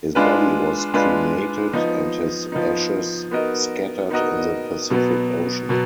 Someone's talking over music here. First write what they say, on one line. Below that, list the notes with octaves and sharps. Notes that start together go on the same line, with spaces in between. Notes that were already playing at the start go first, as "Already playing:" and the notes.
His body was cremated and his ashes scattered in the Pacific Ocean.
G#3 D4 F4 B4
G#3 D4 F4 B4
F3 B3 D#4
F3 B3 D#4
B3 D#4 F#4 A#4 D#5
B3 D#4 F#4 A#4 D#5
B2 F#3 B3
B2 F#3 B3